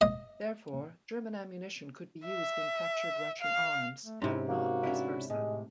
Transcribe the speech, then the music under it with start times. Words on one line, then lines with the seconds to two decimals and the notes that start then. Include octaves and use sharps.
Therefore, German ammunition could be used in captured Russian arms, but not vice versa.
0.01 D#5
2.26 E5
3.41 F5
4.04 A3
4.22 G#2 C3 C#4 E4 A#4
4.49 A#3 F#4
4.83 C#4 D4 E4
5.30 A2 C3 G#3